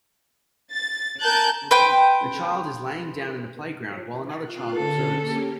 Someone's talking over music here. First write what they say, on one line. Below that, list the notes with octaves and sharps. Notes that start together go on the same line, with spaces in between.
A child is laying down in a playground, while another child observes.
A6
A#4 G#5 A5 F#6 G6 A6
B4 C5 G5
F4 F5 F#6
D3 C#4 G#4 A4
A#3 C#4 G4